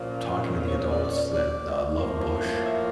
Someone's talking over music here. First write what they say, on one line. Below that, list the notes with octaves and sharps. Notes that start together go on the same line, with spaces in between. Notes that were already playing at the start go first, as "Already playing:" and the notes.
talking to the adults that, uh, loved Bush,
Already playing: A#2 F3 C#4
C#5
D5
D5
C#5
D5
A2 F3 A#3
E5